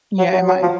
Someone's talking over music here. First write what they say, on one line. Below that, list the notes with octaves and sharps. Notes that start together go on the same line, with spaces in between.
Yeah, it might.
F#3
F#3
F#3
F3